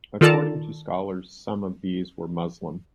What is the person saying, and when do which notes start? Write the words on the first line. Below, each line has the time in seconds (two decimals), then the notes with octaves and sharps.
According to scholars, some of these were Muslim.
0.21 D#3 F4 A4 D5 A5 A#5